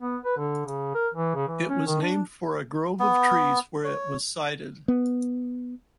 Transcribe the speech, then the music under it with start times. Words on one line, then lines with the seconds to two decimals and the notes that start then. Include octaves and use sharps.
It was named for a grove of trees where it was sited.
0.01 B3
0.25 B4
0.37 D3
0.65 C#3
0.95 A#4
1.14 E3
1.35 C#3
1.48 E3
1.69 C#4
1.87 D#3
2.01 D4
3.00 B3
3.84 C#5
4.88 B3